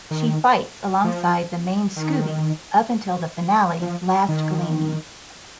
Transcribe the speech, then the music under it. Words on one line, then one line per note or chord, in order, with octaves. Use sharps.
She fights alongside the main Scoobies up until the finale Last Gleaming.
D#3
F3
D#3
F3
D#3